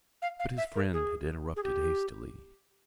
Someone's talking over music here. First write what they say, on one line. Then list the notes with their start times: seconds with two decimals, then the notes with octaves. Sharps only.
But his friend had interrupted hastily.
0.22 F5
0.40 F5
0.58 E5
0.75 A#4
0.93 G#4
1.56 G#4
1.63 G4